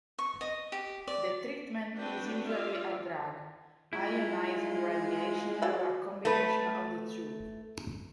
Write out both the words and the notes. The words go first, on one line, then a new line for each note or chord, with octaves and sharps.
The treatment is usually a drug, ionizing radiation, or a combination of the two.
C#6
D#5
G4
D5
C4 D4 F#4 B4 G5
F4 G4 D5 E5 F5
G#3 E4 F4
F#3 D5 E5
A3 B4